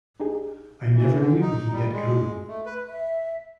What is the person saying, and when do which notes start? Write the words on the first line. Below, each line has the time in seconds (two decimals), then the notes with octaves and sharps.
I never knew he had come!
0.20 D4 D#4 G4 G#4
0.94 E3
1.18 D3
1.41 D#4
1.72 G3
1.92 G#3
2.48 A3
2.66 B4
2.88 E5